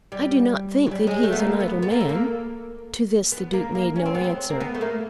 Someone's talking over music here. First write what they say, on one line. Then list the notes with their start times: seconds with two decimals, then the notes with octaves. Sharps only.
"I do not think that he is an idle man." To this the Duke made no answer.
0.12 G3
0.86 F#3
0.91 G3
1.07 G#3
1.23 A3
1.32 B3
1.39 A#3
1.60 B3
1.82 B3
1.91 A#3
2.00 A3
2.09 A#3
3.32 B3
3.53 A#3
3.75 A#3
3.96 C#4
4.06 C4
4.15 B3
4.24 C4
4.50 A#3
4.60 B3
4.75 A3
4.81 A#3